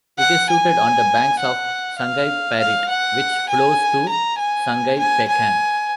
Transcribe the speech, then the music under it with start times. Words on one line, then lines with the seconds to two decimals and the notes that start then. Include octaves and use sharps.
It is situated on the banks of Sungai Parit which flows to Sungai Pekan.
0.19 F#5
0.50 G#5
1.40 F#5
1.99 F5
2.60 F5
2.89 F#5
3.49 G#5
4.09 A#5
4.39 G#5
4.99 G#5
5.29 G#5